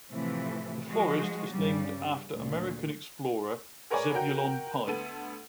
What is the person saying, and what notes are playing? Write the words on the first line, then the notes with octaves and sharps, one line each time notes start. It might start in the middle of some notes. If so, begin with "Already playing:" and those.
The forest is named after American explorer Zebulon Pike.
A2 C3 E3 F3 A3
F3 G#3 F#4
G2 C#3 G3
D2 A#2
G#4 A#4 B4 C#5 D5 G#5
F#4 A#4 G5
D2 B3 A4 D#7